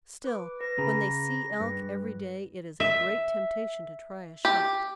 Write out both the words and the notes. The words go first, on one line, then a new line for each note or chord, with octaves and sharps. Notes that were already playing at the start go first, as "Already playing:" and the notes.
Still, when they see elk every day it is a great temptation to try a shot.
B4 D6
B4 A#6
C#3 G#4 A#5 B5
G2 B4
E5
G4